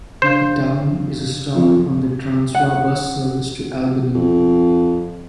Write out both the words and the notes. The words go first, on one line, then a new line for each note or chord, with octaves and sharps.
The town is a stop on the Transwa bus service to Albany.
C#3 D4 C5 F5
F2
F#5
F2